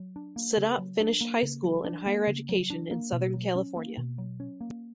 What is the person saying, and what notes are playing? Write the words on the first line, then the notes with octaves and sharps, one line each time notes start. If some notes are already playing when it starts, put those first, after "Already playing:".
Sadat finished high school and higher education in southern California.
Already playing: F#3
D4
A#3
C#3
F#3
D4
A#3
C#3
F#3
D4
A#3
C#3
F#3
D4
A#3
B2
F#3
C#4
A#3
B2
F#3
C#4
A#3